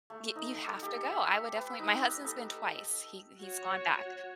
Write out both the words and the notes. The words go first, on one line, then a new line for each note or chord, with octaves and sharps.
Y you have to go, I would definitely my husband's been twice, he he's gone back.
A3
D#4
A4
G4
E5
B4
D#4
D#5
A4
F#4 C#5